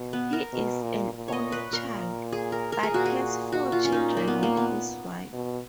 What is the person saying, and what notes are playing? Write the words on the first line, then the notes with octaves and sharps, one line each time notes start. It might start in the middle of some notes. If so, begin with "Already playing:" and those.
He is an only child, but has four children with his wife.
Already playing: B2
B3
A#4
B2
A#2
A#2
C#5 D#5
B4
A#2 A#4
G#4
A#4
A#4
G#4
A#2 F#4
G#4
F#4
F4
C#4
D#4
A#3
B3
A#3
B3
B2